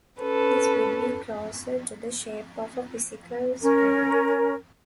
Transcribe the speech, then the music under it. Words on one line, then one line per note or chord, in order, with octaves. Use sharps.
This would be closer to the shape of a physical spring.
C#4 A4 B4
C#4 A#4